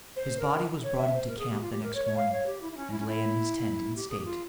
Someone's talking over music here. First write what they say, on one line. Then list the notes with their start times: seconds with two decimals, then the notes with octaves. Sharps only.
His body was brought into camp the next morning and lay in his tent in state.
0.16 C5
0.39 A#4
0.83 C#5
0.97 E5
1.13 C5
1.27 A#4
1.38 G#4
1.50 G4
1.61 F4
1.72 G4
1.83 A#4
1.94 C#5
2.05 C#5
2.17 F5
2.32 C#5
2.46 G4
2.61 E4
2.72 E4
2.77 C#4
2.91 E4
2.99 C#4
3.06 E4
3.95 G4
4.09 G#4
4.19 G4
4.25 F4